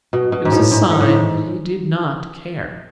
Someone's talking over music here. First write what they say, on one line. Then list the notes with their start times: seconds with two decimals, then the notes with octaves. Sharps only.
It was a sign that he did not care.
0.13 B2
0.32 B2
0.45 G#2
0.52 A2
0.71 G#2
0.90 A2
1.01 A2
1.10 G#2